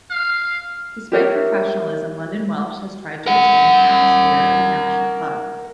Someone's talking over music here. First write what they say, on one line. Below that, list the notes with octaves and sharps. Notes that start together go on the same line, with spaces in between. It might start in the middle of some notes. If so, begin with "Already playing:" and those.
Despite professionalism, London Welsh has tried to retain the atmosphere of an amateur club.
F5
G4 A#4 C#5 E5
A#4 F#5